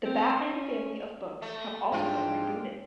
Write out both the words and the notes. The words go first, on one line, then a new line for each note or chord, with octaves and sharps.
The Batman family of books have also been rebooted.
C4
C#4
A3
G#2 C4 D4 F4 G5